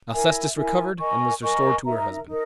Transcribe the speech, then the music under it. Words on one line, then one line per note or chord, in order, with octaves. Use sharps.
Alcestis recovered, and was restored to her husband.
E4 A#4 E5 G#5
E4 A#4 E5 G#5
A#4 D#5 G#5 C#6
A#4 D#5 G#5 C#6
D#4 A#4 E5 A#5
D#4 A#4